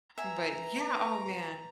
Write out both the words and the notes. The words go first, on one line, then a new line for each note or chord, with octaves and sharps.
But yeah, oh, man.
B4 E5 G#5 A#5